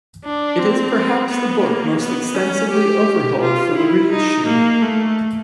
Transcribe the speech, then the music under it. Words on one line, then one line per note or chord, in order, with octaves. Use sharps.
It is perhaps the book most extensively overhauled for the reissue.
D4
C4
B3
A#3
B3
C#4
G4
F4
E4
D#4
A#3
A3